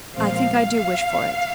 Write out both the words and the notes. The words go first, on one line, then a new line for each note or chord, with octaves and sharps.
"I think I do wish for it."
A#2 F3 G#3 C4 F5